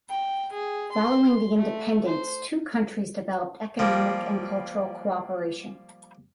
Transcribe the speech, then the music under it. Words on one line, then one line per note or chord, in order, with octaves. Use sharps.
Following the independence two countries developed economic and cultural cooperation.
G5
G#4
C6
A3
C5
F3 G3 A#3